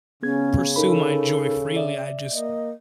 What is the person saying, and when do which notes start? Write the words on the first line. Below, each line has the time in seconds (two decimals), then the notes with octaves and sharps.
pursue my joy freely, I just
0.23 C#3 B3 C#4 G#4 G#6
0.76 D#4 A4 A#4 B5
1.76 D5 E5
2.32 A#3 D#5